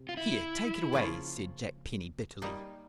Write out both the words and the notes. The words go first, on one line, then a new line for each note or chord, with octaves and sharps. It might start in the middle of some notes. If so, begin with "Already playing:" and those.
"Here, take it away!" said Jack Penny bitterly.
Already playing: C3
F4
E4
C#3 F3 A#3 C#4 F4
G3 A#3 D#4